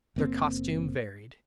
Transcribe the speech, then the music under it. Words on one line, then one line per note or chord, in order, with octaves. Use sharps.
Their costume varied.
F#1 A#3 C4